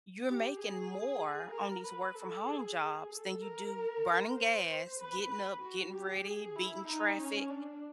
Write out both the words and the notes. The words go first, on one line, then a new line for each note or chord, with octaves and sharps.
you're making more on these work from home jobs than you do burning gas, getting up, getting ready, beating traffic.
G4
G#4
A#4
B4
A4
G#4
A4
A#4
C5
B4
B4
F#4
G4
G#4
E4
D#4
C#4
D4